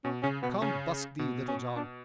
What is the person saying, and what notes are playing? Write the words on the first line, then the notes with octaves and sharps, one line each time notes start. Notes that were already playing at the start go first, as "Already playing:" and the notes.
Come, busk thee, Little John!
B2 C#4
C#3 C#4
B2 B3
C#3 C#4
B2
C#4
D4